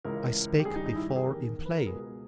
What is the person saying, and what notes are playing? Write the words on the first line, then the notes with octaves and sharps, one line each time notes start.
I spake before in play.
C#2 C#3 E3 A#4
G4
G2 D#3 G#4
D#4
D#4
E4
G4
G#4
E2 D#3 A#4
B4
A#4
C#2 B2 G#4